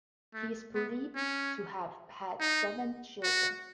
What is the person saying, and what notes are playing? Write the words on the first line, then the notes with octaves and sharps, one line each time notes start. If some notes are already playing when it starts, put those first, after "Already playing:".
He is believed to have had seven children.
A3
B3
C#4
D#4
F#4